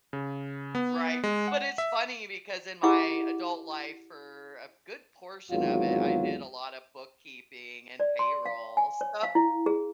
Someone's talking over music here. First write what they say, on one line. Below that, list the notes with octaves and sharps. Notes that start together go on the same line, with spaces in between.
right, but it's funny because in my adult life for a good portion of it, I did a lot of bookkeeping and payroll, so
C#3
B3
G#3
F#5
E5
E4 G4 G#4 D#5 F#5 D6
G#1 E2 F#3 F4
D5
C6
F5
G#5
C#5
F5
E4
G#4